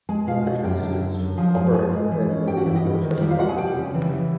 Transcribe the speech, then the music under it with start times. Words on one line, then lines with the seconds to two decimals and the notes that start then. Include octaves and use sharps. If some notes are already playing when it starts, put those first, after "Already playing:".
This pressure switch operates the same way as the recessed button.
0.09 G#3 G#4 G#5
0.27 B2 F4 F5
0.46 B2 F#4 F#5
0.64 F#2 G4 G5
0.82 D3
1.01 D3
1.19 F#2
1.37 F3 G#4 G#5
1.55 G#2 G#4 G#5
1.74 G#2 G#4 G#5
1.93 G#3
2.11 E3
2.30 C#4
2.47 G2 G4 G5
2.57 F#4 F#5
2.66 E3 E4 E5
2.75 D#4 D#5
2.84 G3
3.03 D#3
3.21 G3 E4 E5
3.30 F4 F5
3.39 C3 F#4 F#5
3.49 G#4 G#5
3.58 G3 G4 G5
3.76 C#3
3.94 E3
4.13 E3